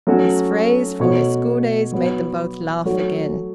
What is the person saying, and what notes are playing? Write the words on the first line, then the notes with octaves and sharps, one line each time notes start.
This phrase from their school-days made them both laugh again.
F#3 A3 C#4 F#4 C#5
B2 A3 F#4 C#5
F#3 B3 F#4 C#5
F#3 A3 F#4 C#5